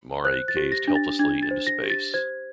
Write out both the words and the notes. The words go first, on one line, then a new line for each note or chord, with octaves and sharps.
Maury gazed helplessly into space.
C5 F#6
A6
G4
A#6
D4
A6
D4 G#6
A6
C5
A#6
G4
A6
C5 G#6